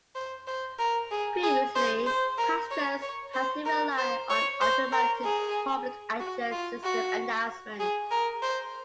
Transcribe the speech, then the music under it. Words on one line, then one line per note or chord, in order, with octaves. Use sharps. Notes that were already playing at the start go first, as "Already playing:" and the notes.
Previously, passengers had to rely on automated public-address system announcements.
C5
C5
A#4
G#4
G#4
C5
C5
A#4
C#5
C#5
C5
A#4
C5
C#5
C5
A#4
G#4
F#4
F4
F#4
G#4
A#4
C5